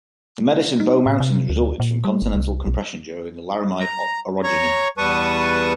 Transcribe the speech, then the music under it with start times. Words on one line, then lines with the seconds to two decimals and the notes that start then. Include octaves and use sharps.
The Medicine Bow Mountains resulted from continental compression during the Laramide Orogeny.
0.80 D#4
1.06 A2
1.20 C3
1.50 D2
1.80 A#2
2.05 G3
2.22 G1
2.36 C2
2.67 B1
3.80 A#5
4.44 C#5 A#5 C#6
4.98 E2 G3 B4 A5 C#6 D#6